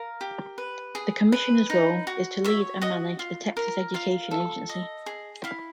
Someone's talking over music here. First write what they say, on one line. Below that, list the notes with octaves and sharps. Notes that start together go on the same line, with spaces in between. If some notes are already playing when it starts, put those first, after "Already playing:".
The commissioner's role is to lead and manage the Texas Education Agency.
Already playing: A#4 F5
G4
B4
G#4
B4
D#4
F#4
C#5 E5
F#4 D#5
F4
A#4
F4 F5
A4
D#5
G#4
E4 F5